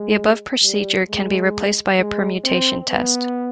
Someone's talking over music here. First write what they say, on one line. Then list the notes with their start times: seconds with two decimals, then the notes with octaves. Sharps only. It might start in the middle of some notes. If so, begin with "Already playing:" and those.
The above procedure can be replaced by a permutation test.
Already playing: G#3
0.63 G3
1.08 G#3
1.99 G#3
2.44 C4
2.90 B3